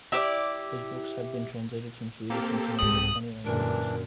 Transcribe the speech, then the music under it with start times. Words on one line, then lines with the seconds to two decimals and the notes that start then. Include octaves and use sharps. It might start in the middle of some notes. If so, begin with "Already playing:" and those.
His books have been translated from Swedish into more than twenty languages.
0.12 E4 G4 B4 D5
2.30 A#3 C4 G4 A4
2.79 C2 G#2 D#6 F#7
3.45 F#2 A#2 D3 E3 D4 A#4